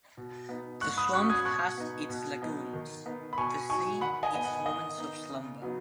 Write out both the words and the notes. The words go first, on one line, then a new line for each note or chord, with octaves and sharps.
The swamp has its lagoons, the sea its moments of slumber.
B2
B3 D#4
G#2 C#6 F#6
B5 D#6
F#3 C#4 C#6 F#6
D#6 G#6
B2 C#6 F#6
B3 D#4
B2
F#3 B3 D#4
D#3
B3 D#4
B5
B2 G#5 C#6
F#3 D#4 G#5 C#6
D#3 F#5 B5
D#5 G#5
B3 D#4 D#5
F#5
D#3 D#5
B3 D#4
C#3
F#3 B3 D#4